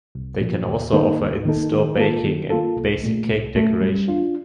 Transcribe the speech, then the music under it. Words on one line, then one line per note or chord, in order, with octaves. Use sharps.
They can also offer in-store baking and basic cake decoration.
C2
A#2 F3
D#2
D#3 A#3 D#4 A4
D#2
D#3 A#3 D#4 A4
D#3
A#3 F4 A4
D#3
A#3 F4 A4
C2
A#2 A3
C2
A#2 A3
G3
D4 F4